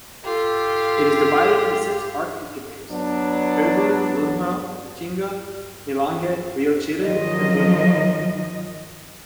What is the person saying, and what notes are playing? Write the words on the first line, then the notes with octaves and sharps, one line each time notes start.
It is divided into six archdeaconries: Cobue, Lunho, Lichinga, Milange, Rio Chire and Lurio.
F4 G4 A4
F#3 B3 D4
D#3 F3 F#3 D#5